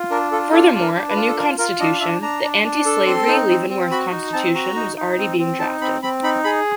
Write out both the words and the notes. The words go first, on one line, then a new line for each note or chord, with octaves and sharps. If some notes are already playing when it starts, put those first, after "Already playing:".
Furthermore, a new constitution, the anti-slavery Leavenworth Constitution, was already being drafted.
Already playing: F4
D4 A#4
F4 A4
D4 A4
D4
A#4
D4
B4
F4
A4
F4 A#4
F4 A#4
D4 D#5
D4 E5
D4 A#5
D4
D4
A4
C4 C6
D#4
C4
C4
F#4 B5
D#4
C4 A5
F#4 A#5
D#4
D#4
C4
C4
D#4 A5
C4 B5
C4 B5
D#4 B5
G#4 B5